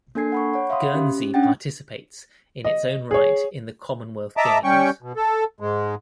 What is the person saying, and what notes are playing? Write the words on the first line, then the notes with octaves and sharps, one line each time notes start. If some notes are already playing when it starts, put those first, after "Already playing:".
Guernsey participates in its own right in the Commonwealth Games.
A#3 D4 A4 G#5 G#6 C7
F#5 B5 C#6
C#5 F#5
E5 F5 B5 C6 D#6
C#4 G4
C#4 D4 F#5 G5 A6
D#5
G#4 C#5
D#5 E5 A5 A#5 D6
G3 C#4 G5 C#6
B2
A4
G#2 G#3